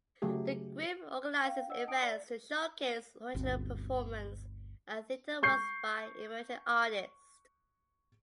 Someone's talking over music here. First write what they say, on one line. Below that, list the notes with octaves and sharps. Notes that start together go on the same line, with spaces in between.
The group organizes events to showcase original performance and theatre works by emerging artists.
C#3 F#3 A3 G4 G#4
F5 G5
D4 D#5 F#5 E6
G5 A5 D#6 D7
D5
G1 D2 C4
C#6 G6 C7